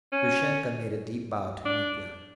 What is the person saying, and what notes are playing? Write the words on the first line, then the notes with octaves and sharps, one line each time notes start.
Grushenka made a deep bow to Mitya.
C#4
D4